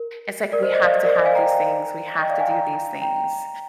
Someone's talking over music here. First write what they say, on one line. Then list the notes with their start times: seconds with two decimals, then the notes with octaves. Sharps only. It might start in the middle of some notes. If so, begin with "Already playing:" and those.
It's like we have to have these things. We have to do these things.
Already playing: A#4
0.52 A#4 D5
0.62 C5 D#5
0.74 C5 D#5
0.83 D5 F5
0.94 C5 D#5
1.04 A#4 D5
1.15 C5 D#5
1.26 F5 G#5
1.35 G5 A#5
2.18 D#5 G5
2.30 D5 F5
2.40 F5 G#5
2.50 G5 A#5
3.02 G5 A#5